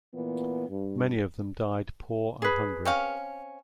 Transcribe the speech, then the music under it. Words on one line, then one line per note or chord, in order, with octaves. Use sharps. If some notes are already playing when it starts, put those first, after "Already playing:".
Many of them died poor and hungry.
A#2 E3 B3
G2
G#4 B4
C4 C#4 F5